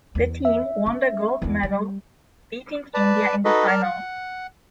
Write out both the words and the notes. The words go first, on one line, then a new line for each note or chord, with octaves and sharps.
The team won the gold meal beating India in the final.
E2
E5
C#4
E2 D4
G3
B4 D5 A5
D#4 F#4 A4 B4 D#5
A#4 D5 A5 F6
F#5